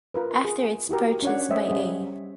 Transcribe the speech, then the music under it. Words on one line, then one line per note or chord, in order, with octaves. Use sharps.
After its purchase by A.
F4 A#4 B4
G#4
E4 F#4 G4 A#4
C#4 D4 C#5 D5 F#5
A3 C5 C#5 D#5 E5 G5
G3 C#4 G#4 D#5